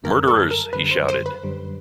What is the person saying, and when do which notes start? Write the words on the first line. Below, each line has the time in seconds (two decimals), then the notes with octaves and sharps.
"Murderers," he shouted.
0.04 F#2 D3 G3 A#4
0.28 A4
0.51 A#4
0.73 F#2 D3 G3 B4
0.91 C5
1.08 C5
1.26 B4
1.43 F#2 D3 G3